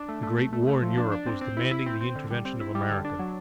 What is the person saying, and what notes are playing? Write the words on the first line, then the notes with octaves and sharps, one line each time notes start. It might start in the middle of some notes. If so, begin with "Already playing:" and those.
The Great War in Europe was demanding the intervention of America.
Already playing: D4
A3
A3
A3
A3
A3
F3
D4
D4
C4
C4
E4
E4
C4
C4
D3
G3
C4
E4
G3
D3
D4
F#3